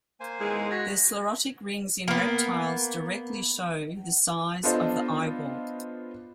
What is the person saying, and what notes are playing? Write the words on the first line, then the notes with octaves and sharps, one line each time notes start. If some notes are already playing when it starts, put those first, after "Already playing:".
The sclerotic rings in reptiles directly show the size of the eyeball.
A#3 C5 G#5
E2 D#3 G#3 G#4
F#4 G#6 A#6 B6
A#3 B3
B3 D4 F4 A4 C5 D#5